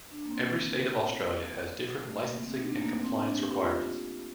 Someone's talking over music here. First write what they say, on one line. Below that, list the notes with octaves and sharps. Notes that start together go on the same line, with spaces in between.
Every state of Australia has different licensing and compliance requirements.
D4
A#3
C4
A3
A#3
C4
D#4
D4
A3
A#3
C4
D4
G4
F4